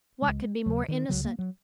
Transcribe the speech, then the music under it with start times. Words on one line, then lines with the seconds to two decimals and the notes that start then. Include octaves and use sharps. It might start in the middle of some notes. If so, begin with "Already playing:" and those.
What could be more innocent?
0.22 C#2 C#3 G#3
0.66 D#2 C#3 F#3
0.88 D#3
1.09 C#2 C#3 F#3
1.24 A#3
1.39 F#3